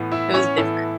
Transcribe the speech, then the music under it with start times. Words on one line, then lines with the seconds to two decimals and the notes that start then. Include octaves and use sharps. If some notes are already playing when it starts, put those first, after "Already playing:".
it was different.
Already playing: A2 E3 B3
0.12 E4 E5
0.34 C#4 C#5
0.57 A2 E3 B3 E4 A4